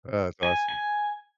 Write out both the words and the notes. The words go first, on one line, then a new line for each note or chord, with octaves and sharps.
Oh, that's awesome.
G#5
G#5